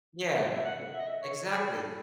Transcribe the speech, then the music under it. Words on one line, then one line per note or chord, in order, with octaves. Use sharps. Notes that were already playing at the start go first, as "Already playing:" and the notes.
Yeah, wo exactly.
E5
F#5
E5
D#5
E5
C#5
G#4
A4